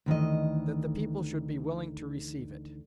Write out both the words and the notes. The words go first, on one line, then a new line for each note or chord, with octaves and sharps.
That the people should be willing to receive it.
D2 D#3 E3 D#5